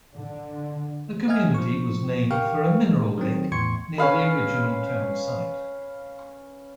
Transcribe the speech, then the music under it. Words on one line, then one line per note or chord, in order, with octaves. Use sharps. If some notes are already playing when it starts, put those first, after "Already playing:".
The community was named for a mineral lick near the original town site.
D3
D#5 E5 F#5 G#5 F6 G#6
F3 C#6
G4 A#4 F5 G5 C#6 F6
G#3 A3
D#3 F#3 C4
E2 A2 C6 C#6 G#6 C#7
C#4 B4 F5 B5